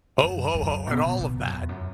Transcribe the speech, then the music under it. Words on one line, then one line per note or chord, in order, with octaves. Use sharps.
"Ho! Ho! Ho!" and all of that,
F#2
F#2
B2
B2
B2
F#2
E2
F#2